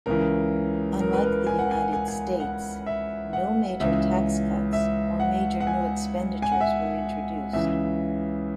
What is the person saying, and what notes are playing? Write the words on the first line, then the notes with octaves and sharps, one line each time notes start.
Unlike the United States no major tax cuts or major new expenditures were introduced.
C#2 C#3 E3 A#4
A#4
B4
A#4
G#5
F#5
G#5
G#5
G#5
F#5
E5
F#5
C#2 C#3 E3 E5
E5
F#5
F#5
G#5
G#5
F#5
E5
C#2 C#3 E3 E5